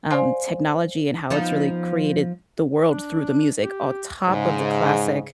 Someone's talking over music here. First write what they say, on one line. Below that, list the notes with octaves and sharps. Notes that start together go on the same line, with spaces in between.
um, technology and how it's really created the world through the music on top of the classic,
C5 D5 F5 G#5 C6
F3 B3 D#4
D4
G4
G#2 C#3